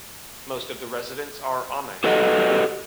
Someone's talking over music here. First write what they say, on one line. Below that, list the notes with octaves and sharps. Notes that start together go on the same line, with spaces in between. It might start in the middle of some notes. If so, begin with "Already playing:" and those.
Most of the residents are Amish.
F#4 G4 A4 B4 D#5 F#5